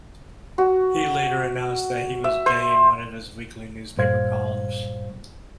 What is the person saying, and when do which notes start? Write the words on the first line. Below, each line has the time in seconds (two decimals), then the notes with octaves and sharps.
He later announced that he was gay in one of his weekly newspaper columns.
0.58 F#4
2.24 E5
2.46 C5
3.97 G2 A#2 G3 C5 F5 G#6